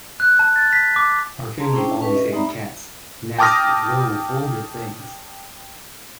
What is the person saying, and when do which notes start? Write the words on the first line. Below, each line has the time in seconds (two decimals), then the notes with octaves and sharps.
Our family always hated cats: nasty, low, vulgar things!
0.20 F#6
0.39 A5
0.56 A6
0.73 B6
0.96 D6
1.59 G#4 A5 A#5 C6
1.73 C#4 D4 E4 C5 G5
1.90 A5
2.02 C#4 B4 E5
2.15 D#5 E5
2.32 G#3 C4 D#4 D5 A#5 B5
3.38 G5 A5 D6 D#6 F6 A#6